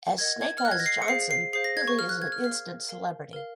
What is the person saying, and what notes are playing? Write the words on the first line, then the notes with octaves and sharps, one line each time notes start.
As Snake Eyes Johnson, Billy is an instant celebrity.
A#4 D#5 F#5 G#6
G#6
F6
A#4 D#5 F#5 F#6
G#6
A#6
C7
C#7
G#4 C5 F5 C7
C7
G#4 C5 F5 C7
A#6
G#6
C#6
A#4 F5 F6
F#6
G#6
F6
A#4 F5 F6
A#4 F5
A#4 F5